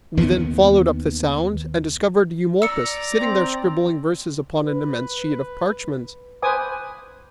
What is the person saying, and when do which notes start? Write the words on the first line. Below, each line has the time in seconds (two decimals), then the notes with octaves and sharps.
We then followed up the sound and discovered Eumolpus, sitting there scribbling verses upon an immense sheet of parchment!
0.17 D#2 D#3 B3
2.62 D5 A#5 E6 C#7
3.21 C4
4.65 B4
6.42 B4 C5 G#5 D6 D#6